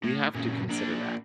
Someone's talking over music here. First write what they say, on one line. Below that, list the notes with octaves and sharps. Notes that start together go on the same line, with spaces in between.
We have to consider that.
A2
A#2 C#3
A#2 D4